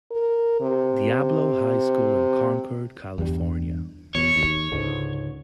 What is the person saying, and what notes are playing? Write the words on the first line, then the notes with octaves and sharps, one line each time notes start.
Diablo High School in Concord, California.
A#4
C3
E2 G2 G3
E2 B2 C#5
D#2
C#2 G#2 D3